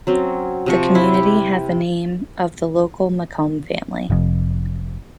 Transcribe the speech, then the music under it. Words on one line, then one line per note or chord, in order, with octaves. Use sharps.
The community has the name of the local Macomb family.
F#3 C4 C#4
C3 F3 C#6
E4
G4
F1 F2